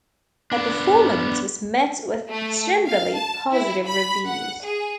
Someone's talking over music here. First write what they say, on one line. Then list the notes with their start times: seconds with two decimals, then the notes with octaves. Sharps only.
Her performance was met with generally positive reviews.
0.52 B3 D4
2.29 A3
2.86 F5
3.14 A5
3.52 E4
3.87 B5
4.27 F#5
4.63 G#4